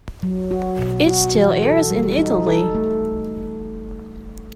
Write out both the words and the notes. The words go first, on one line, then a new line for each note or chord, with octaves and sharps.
It still airs in Italy.
F#3
F#4
B2
F#4
E3
A4
G3
D#4
A4
A3